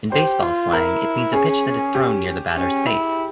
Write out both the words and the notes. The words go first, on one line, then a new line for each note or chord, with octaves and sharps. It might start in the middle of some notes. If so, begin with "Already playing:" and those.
In baseball slang, it means a pitch that is thrown near the batter's face.
G4 C5
F4
E4 A#4
C#4 G#4
G4
C#4
E4